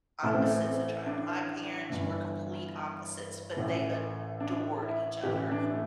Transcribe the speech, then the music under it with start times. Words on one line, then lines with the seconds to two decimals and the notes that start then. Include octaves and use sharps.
opposites attract. My parents were complete opposites, but they adored each other.
0.23 A1 A2 E3 A3
0.33 C4
0.43 A3
0.64 C4
1.06 D4
1.90 G1 G2 E3
3.56 A1 A2 E3
4.40 D4
4.82 E4
5.23 A1 A2 E3 G4
5.51 D4
5.71 A3